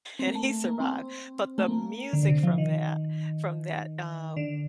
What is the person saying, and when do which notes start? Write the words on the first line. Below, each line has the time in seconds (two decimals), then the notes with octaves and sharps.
and he survived. But the music from that from that, um,
0.19 C4
0.27 A#3
0.35 A3
0.50 A3
0.65 A#3
0.80 C4
1.58 A3
1.68 A#3
2.13 D3
2.23 D3
2.28 C3
2.43 F3
2.58 D#3
4.36 D3